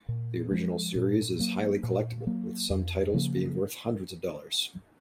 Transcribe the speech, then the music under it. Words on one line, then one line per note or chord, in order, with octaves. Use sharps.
The original series is highly collectible, with some titles being worth hundreds of dollars.
A#2
F3 G#3
A#2
F#3 A#3
A#2
F#3 A#3
F2
C#3 F3 A#3